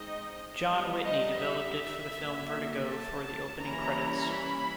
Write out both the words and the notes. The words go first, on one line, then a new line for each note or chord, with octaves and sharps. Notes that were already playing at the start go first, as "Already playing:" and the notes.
John Whitney developed it for the film Vertigo for the opening credits.
Already playing: G#3 C4 D#4 D#5
G3 B3 D#4
D#5
E5
D3 F#3 A#3
A5
E3 G3 A#3 C#4 E4 A#5
B5